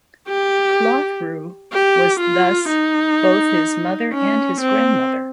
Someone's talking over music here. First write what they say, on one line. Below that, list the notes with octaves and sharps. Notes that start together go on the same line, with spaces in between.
Clothru was thus both his mother and his grandmother.
G4
G4
F4
D#4
C#4
C4